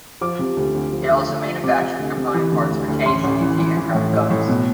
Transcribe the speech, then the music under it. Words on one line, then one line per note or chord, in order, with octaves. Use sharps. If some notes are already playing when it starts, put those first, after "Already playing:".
It also manufactured component parts for tanks and anti-aircraft guns.
F3 D6
C3
D2
D2
F3
D2
D2
F3
C3 D6
C3
D2
C3
E3
D2
D2
D2
A1 C6
A1
E3
E3
E3
A2
A2
A2
B2